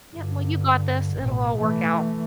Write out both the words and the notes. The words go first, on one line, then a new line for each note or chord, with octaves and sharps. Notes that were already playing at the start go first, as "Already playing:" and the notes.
Yep. Well, you got this. It'll all work out.
G2 D3
A1 B2
E3 A3